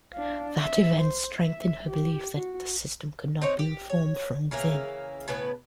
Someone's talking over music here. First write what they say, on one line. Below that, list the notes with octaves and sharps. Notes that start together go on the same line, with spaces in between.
That event strengthened her belief that the system could not be reformed from within.
D4 F5
E5
C5
E5
G4
F#4
C4 D#4 F#4 C#5
G4
C#5
C#3 E3 A#3 A#4
A2 C#3 B3 B4